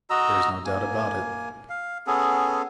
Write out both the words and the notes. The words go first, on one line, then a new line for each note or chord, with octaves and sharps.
There's no doubt about it.
F#4 D#5 A#5 E6
A#3 G#5
F5
B3 C#4 G#4 A4